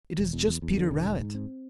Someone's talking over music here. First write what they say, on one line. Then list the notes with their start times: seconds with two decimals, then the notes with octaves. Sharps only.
It is just Peter Rabbit.
0.19 E1
0.33 E2
0.48 E2
0.62 E2
0.77 D3
0.91 E1
1.05 G#2
1.20 G#2
1.35 C4